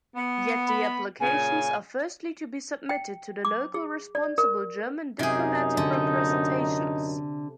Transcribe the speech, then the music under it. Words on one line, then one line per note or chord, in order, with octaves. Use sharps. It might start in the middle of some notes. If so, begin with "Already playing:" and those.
Yet the applications are firstly to be submitted to the local responsible German diplomatic representations.
B3
B5
A#2 C#3 G#5
G5
D6
G#4
D5
A#4
F#2 C3 D#4 G#4
D3